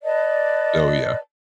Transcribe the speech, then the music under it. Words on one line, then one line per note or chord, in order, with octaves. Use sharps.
Oh, yeah.
B4 D5 D#5 A5